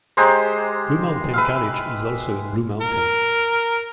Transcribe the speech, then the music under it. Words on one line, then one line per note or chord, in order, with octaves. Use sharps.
Blue Mountain College is also in Blue Mountain.
G#3 G4 C5 A#5
B4 E5 F5
A#4